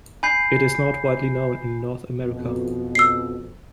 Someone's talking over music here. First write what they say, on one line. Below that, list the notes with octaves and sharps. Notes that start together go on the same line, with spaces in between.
It is not widely known in North America.
G#5 B5 G6 C7
F2 B2
E6 C7